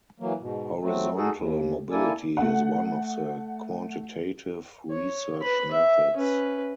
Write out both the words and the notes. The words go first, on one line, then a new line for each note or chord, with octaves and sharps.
Horizontal mobility is one of the quantitative research methods.
E3 F#3 A#3
G#2 B2
F#3 A3 C4
D#4 F#4 G#4 A4
D#2
A#3 E4 A4 D5 G#5
A3 F#5
C#5
B4 B5
E5
C#4 B4